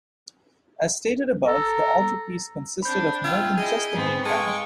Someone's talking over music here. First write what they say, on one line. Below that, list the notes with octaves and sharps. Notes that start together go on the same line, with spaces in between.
As stated above, the altarpiece consisted of more than just the main panel.
A4 A#5
C4 D4 B5 G6
F4 E5 F#5 G5
E4 G#4 D#5
G#2 B3 C4 G#5
G#3 A4 F5 G5 C#6